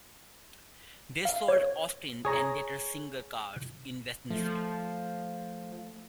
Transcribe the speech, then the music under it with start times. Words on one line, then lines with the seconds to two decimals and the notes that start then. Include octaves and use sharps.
They sold Austin and later Singer cars, in Westminster.
1.25 F5
1.48 C#5
2.25 G#4 C#5 A#5
4.30 F3 A3